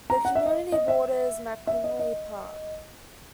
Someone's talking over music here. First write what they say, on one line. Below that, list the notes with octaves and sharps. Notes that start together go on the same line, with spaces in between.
The community borders McKinley Park.
A#5
F#5
E5
D#5
D#5
E5
E5
D#5
D#5